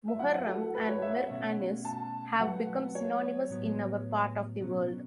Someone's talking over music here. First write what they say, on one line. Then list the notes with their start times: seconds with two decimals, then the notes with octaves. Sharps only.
Muharram and Mir Anis have become synonymous in our part of the world.
0.08 E5
0.19 F#3 A3 E4 F#5
0.33 F#5
0.47 A4
0.62 A4
0.75 B4
0.89 C#5
1.02 E5
1.16 F#5
1.29 B2 A3 C#4
1.85 A5
2.40 F#3 A3 F#4 B4 F#5
2.95 C#5
3.50 A2 F#3 B3
4.61 B2 F#3 C#4